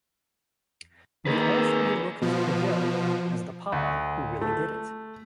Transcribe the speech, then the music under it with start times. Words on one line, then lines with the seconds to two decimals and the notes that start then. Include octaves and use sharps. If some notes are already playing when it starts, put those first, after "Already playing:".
We all three looked to Jo as the 'Papa' who really did it.
1.26 D#3 A#3 G#4 B4
2.22 B2 F3
3.72 D2
4.41 A3